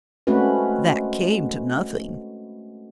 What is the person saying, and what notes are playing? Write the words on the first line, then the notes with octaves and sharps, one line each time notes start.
That came to nothing!
G#3 A3 C4 C#4 F#4 B4